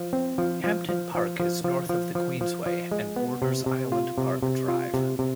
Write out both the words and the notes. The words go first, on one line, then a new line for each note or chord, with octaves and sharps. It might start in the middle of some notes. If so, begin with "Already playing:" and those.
Hampton Park is north of the Queensway and borders Island Park Drive.
Already playing: F3
C4
F3
F3
F3
F3
F3
F3
F3
F3
F3
F3
G#3
B3
C3
C3
F4
C3
C3
F4
C3
C3